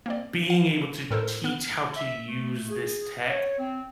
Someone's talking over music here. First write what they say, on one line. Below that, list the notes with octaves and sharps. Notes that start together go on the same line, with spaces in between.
being able to teach how to use this tech
A#3 C4 D5
F5
A2 A4 A#4 C5
B3 F6
E5
A3
G#4
C#5
C4